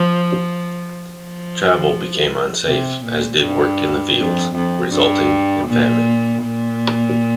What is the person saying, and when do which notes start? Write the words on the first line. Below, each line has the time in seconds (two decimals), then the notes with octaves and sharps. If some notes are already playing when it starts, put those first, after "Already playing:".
Travel became unsafe, as did work in the fields, resulting in famine.
Already playing: F3
1.14 F3
2.66 C3
3.04 A#2
3.41 G2
4.17 F2
4.55 F2
4.92 G2
5.67 A#2
6.44 A#2